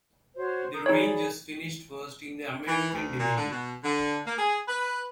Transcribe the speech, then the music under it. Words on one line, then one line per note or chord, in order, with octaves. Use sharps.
The Rangers finished first in the American Division.
F#4 C5 C#5
A#4 D#6 G6
D#4 G#4 C#5 D5 B5
E3
D2
A#2
D3
B2
D3
A#3
G#4
B4